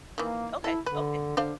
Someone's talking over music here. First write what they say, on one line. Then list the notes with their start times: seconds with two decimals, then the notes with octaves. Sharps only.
Okay, okay.
0.18 D#3 E3 A#3
0.64 E4 A4
0.86 D3 B4
1.37 D3 D4 C5 F5